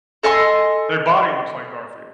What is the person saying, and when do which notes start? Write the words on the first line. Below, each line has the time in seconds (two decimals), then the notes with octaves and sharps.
their body looks like Garfield.
0.23 A4 D#5 G#5 C6